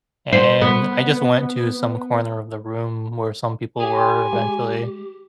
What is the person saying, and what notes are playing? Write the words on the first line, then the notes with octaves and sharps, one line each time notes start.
and I just went to some corner of the room where some people were eventually
C5
B3
G4 G#5
G5 B5 C6
G#3